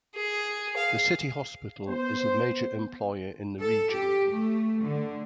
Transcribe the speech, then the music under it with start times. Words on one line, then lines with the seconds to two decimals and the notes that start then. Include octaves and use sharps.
The city hospital is the major employer in the region.
0.16 G#4
0.77 F5
1.88 B3 C5
3.61 A4
3.92 G4
4.31 A3
4.84 D3